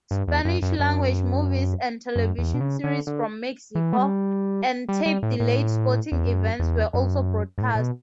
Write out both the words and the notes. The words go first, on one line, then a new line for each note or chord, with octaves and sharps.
Spanish-language movies and television series from Mexico, and tape-delayed sporting events were also broadcast.
G2
E2
F#2
F#2
F#2
F#2
E2
B2
C#3
D3
D3
E3
A3
G3
G3
G3
A2
A2
E2
F#2
E2
F#2
G2
A2
A2
B2